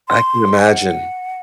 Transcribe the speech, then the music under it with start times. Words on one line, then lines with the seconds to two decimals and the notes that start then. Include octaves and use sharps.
I can imagine.
0.08 C6
0.59 G#5
0.69 F#5